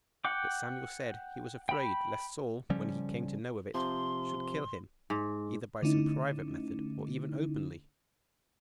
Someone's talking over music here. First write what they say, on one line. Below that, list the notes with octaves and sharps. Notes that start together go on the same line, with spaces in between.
But Samuel said, he was afraid lest Saul, when he came to know of it, should kill him, either by some private method or even openly.
F#5 G5 D6
G5 B5
C#3 F3 G3 C#4
C3 F3 C6
G#2
D3 A3 C#4 D#4 E4